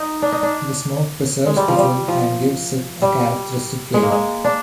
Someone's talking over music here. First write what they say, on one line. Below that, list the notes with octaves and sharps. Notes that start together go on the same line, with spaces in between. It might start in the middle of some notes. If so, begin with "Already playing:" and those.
The smoke preserves the food and gives it a characteristic flavor.
Already playing: D#4
D4
D#4
D4
G#3
G3
F3
G3
F3
G3
G#3
A#3
G#3
D4